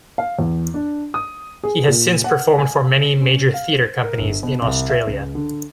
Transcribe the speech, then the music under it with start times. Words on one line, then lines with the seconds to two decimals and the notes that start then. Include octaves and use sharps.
He has since performed for many major theatre companies in Australia.
0.18 F5
0.39 E2
0.74 D4
1.14 D#6
1.63 G#4
1.88 A#2
2.24 F#5
2.58 G#5
3.21 C#4
3.54 F5
3.72 C5
4.04 A#4
4.19 G1
4.43 B2
4.62 C2
4.90 E5
5.07 C#2
5.35 D3